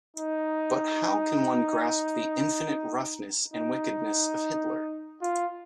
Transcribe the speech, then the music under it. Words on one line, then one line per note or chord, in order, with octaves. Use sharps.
But how can one grasp the infinite roughness and wickedness of Hitler?
D#4
D#4
F4